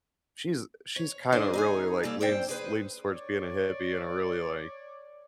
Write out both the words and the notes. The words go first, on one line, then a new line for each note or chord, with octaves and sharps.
she's, she's, kinda, really, like, leans leans towards being a hippie in a really, like,
C#5
E3 D4 G#4 C5 D5 D#5
D#4 G#4 G#5
G3 A#3 A4 C#5
D4 C5 G5
G#4 B4 C5
C#5 D5